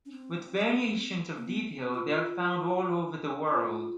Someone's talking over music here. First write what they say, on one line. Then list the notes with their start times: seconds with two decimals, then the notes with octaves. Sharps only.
With variations of detail they are found all over the world.
0.05 C#4
0.12 C4
1.37 A#3
1.47 B3
1.69 C4
1.93 F4
3.51 F4